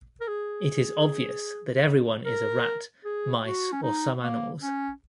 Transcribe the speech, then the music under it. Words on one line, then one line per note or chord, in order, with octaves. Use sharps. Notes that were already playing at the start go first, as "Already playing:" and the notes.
It is obvious that everyone is a rat, mice or some animals.
A#4
G#4
A#4
G#4
F#4
C#4
D#4
A#3
C#4